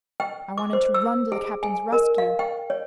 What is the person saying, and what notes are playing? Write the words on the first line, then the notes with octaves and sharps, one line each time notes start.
I wanted to run to the captain's rescue.
G5
D6
C5
E6
G#4
G#5
A#4
F5
G5
C#5